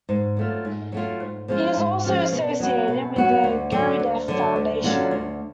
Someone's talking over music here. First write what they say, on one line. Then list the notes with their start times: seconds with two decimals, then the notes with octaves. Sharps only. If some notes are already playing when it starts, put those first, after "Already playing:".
He is also associated with the Gurdjieff Foundation.
0.09 G#2
0.37 F#3 A3 F4
0.65 G#2
0.92 F#3 A3 F4
1.20 G#2
1.48 F3 G#3 C#4 F4
1.77 G#2
2.04 F3 G#3 C#4 F4
2.32 B2
2.60 F#3 B3 F#4
2.88 B2
3.16 F#3 B3 F#4
3.44 D2
3.72 D3 F#3
4.00 D2
4.28 D3 F#3
4.56 D2
4.84 D3 F#3 C#4 F4
5.11 D2